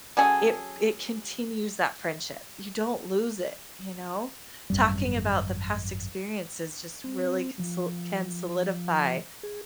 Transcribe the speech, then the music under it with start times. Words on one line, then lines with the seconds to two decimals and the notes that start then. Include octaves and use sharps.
it it continues that friendship, you don't lose it, you know, talking about the past experiences, just, really can sol can solidify
0.17 F#3 C#4 G#4 A4
4.70 G#1 F#2 G3
7.04 C4
7.60 F3
9.43 G#4